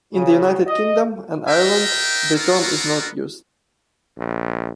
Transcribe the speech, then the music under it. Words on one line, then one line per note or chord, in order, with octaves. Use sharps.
In the United Kingdom and Ireland, the term is not used.
C#3
D#5
F4 A#4 D#5 E5 G5
A#3 B3 F4 F#4 A4 A#4
A#1